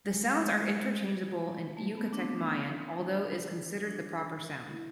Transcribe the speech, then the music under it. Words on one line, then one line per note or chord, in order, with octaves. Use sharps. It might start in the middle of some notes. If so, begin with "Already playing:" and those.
The sounds are interchangeable in Yucatec Mayan although is considered the proper sound.
G#3
A3
G#3
A3
B3
D4
C4
D4
D4
E4